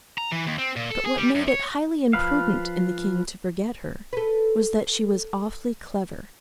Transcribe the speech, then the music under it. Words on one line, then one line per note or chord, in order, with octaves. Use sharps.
But what made it highly imprudent in the king to forget her was--that she was awfully clever.
A#5
E3
D#2
C4
A#2
A4
G#4
G3
F#2
C#5
F3 B4 F5
A4 B4